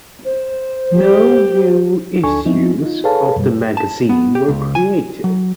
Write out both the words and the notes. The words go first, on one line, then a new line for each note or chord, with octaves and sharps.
No new issues of the magazine were created.
C5
G4
D2 D4 A4 G#5 C#6
F3 B3 C4 D#4 E4
D#4 F4
G#4 A4 B4 C#5 F5 A5
F#2 B2 G3
A5
B3
G4
C#2
G#5
F#3